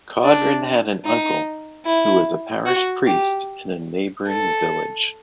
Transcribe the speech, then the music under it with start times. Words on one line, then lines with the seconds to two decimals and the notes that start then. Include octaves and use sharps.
Coudrin had an uncle, who was a parish priest in a neighboring village.
0.24 D4
1.05 D#4
1.86 E4
2.66 F#4
3.06 G4
4.28 A4